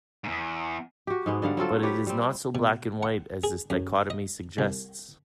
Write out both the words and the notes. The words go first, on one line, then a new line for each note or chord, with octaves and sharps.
But it is not so black-and-white as this dichotomy suggests.
E2 G#2
F#4 G4
G#2 G#3 B3
D3 G3 F5 F#5
F#3 C4 F4 A4
G4 B4 C#5
G3 C4
B2
F#5
G#4
F#2
D#5
C2